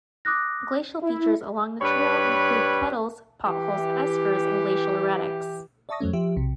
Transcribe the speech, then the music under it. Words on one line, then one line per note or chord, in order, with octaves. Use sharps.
Glacial features along the trail include kettles, potholes, eskers, and glacial erratics.
D6 D#6 F#6 A#6
E4
G2 G3 B4 C#5 B5
E3 G4
D5 E5 A5 C#6 D#6 A#6
F2 F#3 A3 C#4
F3 G4 E5
B1 C3